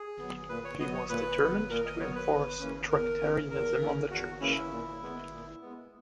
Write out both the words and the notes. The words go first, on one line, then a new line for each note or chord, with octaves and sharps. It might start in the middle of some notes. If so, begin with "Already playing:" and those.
He was determined to enforce Tractarianism on the Church.
Already playing: G#4
F#3 B3
A#2 B4
C#5
F#3 B3 D#5
C#5
A#2 B4
F#3 B3
A#2 A#4
D#5
F#3 B3 C#5
B4
E2
C#3 E3 A#3 C#4
E2 A#4
C#3 E3 A#3 C#4
E2 A#4
C#3 E3 A#3 C#4
E2 F#4
C#3 E3 A#3 C#4 E4
A#2
G#3 B3
A#2
G#3 B3